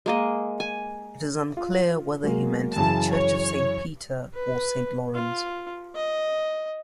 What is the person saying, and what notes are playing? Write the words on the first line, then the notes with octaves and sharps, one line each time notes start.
It is unclear whether he meant the Church of Saint Peter or Saint Lorenz.
G#3 A#3 D#5
G#5
F4
F#3 G#3 A#3
F#2 C#3 E3 A5
C#5
B4
F4
D#5